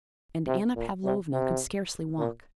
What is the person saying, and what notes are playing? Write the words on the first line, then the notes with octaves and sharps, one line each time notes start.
And Anna Pavlovna could scarcely walk....
C3
A#2
C3
C3
A#2